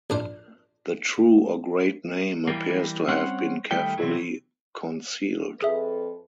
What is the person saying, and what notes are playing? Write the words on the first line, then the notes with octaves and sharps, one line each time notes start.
The true or great name appears to have been carefully concealed.
A#1 D4 C5
E3 G3 A#3
G3 C4 C#4 C5 C#5 F#5
D#3 G3 A3 G4 G5
C3 E3 F#3
F2 G#4 A4 B4 E5